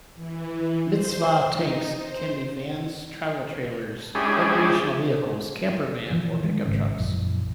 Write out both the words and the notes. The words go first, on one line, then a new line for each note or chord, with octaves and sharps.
Mitzvah tanks can be vans, travel trailers, recreational vehicles, campervan or pickup trucks.
E3
C5
D#4
C5
G#3 C#4 D4 E4 G4 G#4
E3 F3
D#3 G#3
G#1 C#3
A#1 F#2 E3